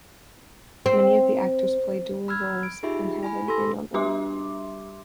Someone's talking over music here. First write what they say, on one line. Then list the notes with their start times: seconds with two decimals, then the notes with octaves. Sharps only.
Many of the actors play dual roles, in Heaven and on Earth.
0.86 C4
2.28 B5 E6 F6 G#6
2.63 D7
2.83 D#4 F4 G4 G#4 E5 B5
3.23 E4 G#5 B5
3.48 G4 A4 C6 E6 A#6
3.94 G3 D4 G4 E5 C6 D6